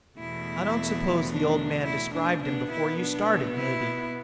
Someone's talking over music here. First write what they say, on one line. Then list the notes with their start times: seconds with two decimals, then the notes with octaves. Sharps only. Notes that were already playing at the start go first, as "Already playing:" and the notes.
"I don't suppose the old man described him before you started, maybe?"
0.18 E2 B2 A3 E4
1.30 D4
1.86 E4
2.14 D4
2.42 B2 B3 D4
2.72 E4
2.99 D4
3.56 E4